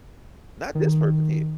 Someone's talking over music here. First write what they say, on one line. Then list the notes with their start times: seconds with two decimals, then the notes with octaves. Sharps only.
Not this person here.
0.75 D#3